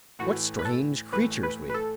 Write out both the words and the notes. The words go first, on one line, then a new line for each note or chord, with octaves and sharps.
What strange creatures we!
A2 E3 A3 F#4
B4
A4
A2 E3 A3 B4
B4
B4
A4